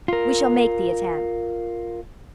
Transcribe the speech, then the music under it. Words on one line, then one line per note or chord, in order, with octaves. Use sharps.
We shall make the attempt.
F4 A#4